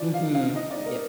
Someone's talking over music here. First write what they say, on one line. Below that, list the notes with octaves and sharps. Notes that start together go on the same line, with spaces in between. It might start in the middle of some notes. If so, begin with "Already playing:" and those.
Mhm, yeah
Already playing: F3 D5
D#4 F5
D#4 F5
D#4 D#5
D5
D#4
A#4